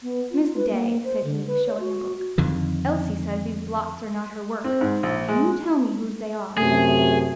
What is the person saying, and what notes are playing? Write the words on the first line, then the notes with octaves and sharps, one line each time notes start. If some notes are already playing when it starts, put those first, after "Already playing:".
"Miss Day," said he, showing the book, "Elsie says these blots are not her work; can you tell me whose they are?"
B3
F4
B4
A#3
C5
D3
B4
C#5
F#4
F2 D3 D#3
C4
G#2
A#1
G#3
F#2 C3 A3 G#4